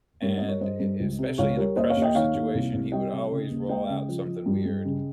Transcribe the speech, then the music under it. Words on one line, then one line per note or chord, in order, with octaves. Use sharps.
And e especially in a pressure situation, he would always roll out something weird,
G2 A#4 C#5
G2 D#5
A#4 C#5
G2 C5 D#5
G2
C#2
C3
C#2 C#5 F5
G3 A#4 C#5
D#2 C5 D#5
C#5 F5
D#2
D#5 G5
D#3 C#5 F5
D#2
C2
C2
G3 D#5 G5
C3
C#3
D#2
G#3 D#5 G5
C#3
F3
F3
G2
G2
C#3